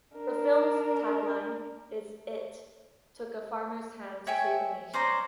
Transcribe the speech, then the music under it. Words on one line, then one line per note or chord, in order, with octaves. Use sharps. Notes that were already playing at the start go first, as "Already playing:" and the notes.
The film's tagline is It took a farmer's hand to shape a nation.
D4 A#4
C#5 E5 G5 G#5
C#4 C5 D5 A#5